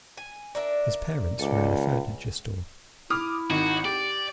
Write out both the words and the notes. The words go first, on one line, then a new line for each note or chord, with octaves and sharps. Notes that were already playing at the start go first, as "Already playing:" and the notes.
His parents ran a furniture store.
G#5
D4 A#4 E5
C#2 A4 D5
E4 D6 D#6 F6
G#1 D#3 F#4
G4 D5